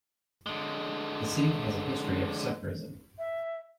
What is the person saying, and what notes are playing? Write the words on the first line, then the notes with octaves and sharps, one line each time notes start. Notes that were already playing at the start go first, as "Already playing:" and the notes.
The City has a history of Sufism.
D3 G#3
E5